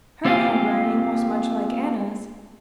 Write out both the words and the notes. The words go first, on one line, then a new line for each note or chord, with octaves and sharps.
Her handwriting was much like Anna's.
A#3 C4 F4 G4 F5 G#5